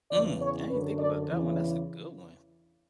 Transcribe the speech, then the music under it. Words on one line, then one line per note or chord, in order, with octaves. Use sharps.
Mm, I didn't think about that one. That's a good one.
E2 C#3 E3 D5
C#5
F#2 D3 B4
D5
E2 C#3 E3